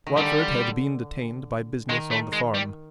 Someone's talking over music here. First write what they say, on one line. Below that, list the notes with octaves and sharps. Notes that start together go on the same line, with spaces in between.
Watford had been detained by business on the farm.
D#3
D3 G3
D#3 G#3
A3
G#3
G3